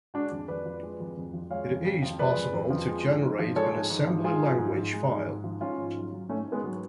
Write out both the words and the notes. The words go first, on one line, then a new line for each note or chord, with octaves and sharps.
It is possible to generate an assembly language file.
G#3 D4 F#4
F2
F2 B4 D5
F3
G#3
F2
F2
F3
G#3 C#5 F5
F2
F2
F3
G#3 B4 D5
F2
F2
F3
G#3
G#2
G#2
F3
G#3 A4 C#5
G#2
G#2
F3
G#3 F4 G#4
G#2
G#2
F3
G#3
G#2
G#2
F3
G#2 C#4 F4
G#2
F#3
F#3
G#2 A3 C#4
G#2
G#3 B3
F#3